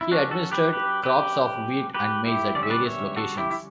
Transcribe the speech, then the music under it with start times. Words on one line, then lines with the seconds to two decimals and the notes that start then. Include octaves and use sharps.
He administered crops of wheat and maize at various locations.
0.01 E4
0.11 F#3 C#4 D4 F#4
0.31 F#4 A4
0.52 G4 B4
0.73 G4 B4
1.04 G4 B4
1.94 G4 B4
2.25 E4 G4
2.55 D3 G3 C#4 D5
2.63 E5
2.70 B4 D5
2.86 C#5 E5
3.16 F#4 A4
3.37 E4 G4
3.51 E4